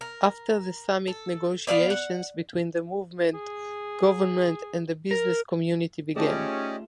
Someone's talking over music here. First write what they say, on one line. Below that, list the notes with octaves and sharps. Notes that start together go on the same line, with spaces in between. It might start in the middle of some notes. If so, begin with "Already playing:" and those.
After the summit negotiations between the movement, government, and the business community began.
A#4
A4
B3 D5 E5 F5
F#5
G#4
A#4
A3 C#4 D#4 F4 G4 G#4 D5 D#5